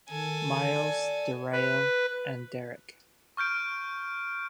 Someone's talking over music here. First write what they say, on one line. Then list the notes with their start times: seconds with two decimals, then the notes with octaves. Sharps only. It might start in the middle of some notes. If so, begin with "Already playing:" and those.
Miles, Darrayl and Derrick.
0.10 D#3 A4 G#5
0.71 D5
1.52 B4
3.37 C#6 F6 G6 D7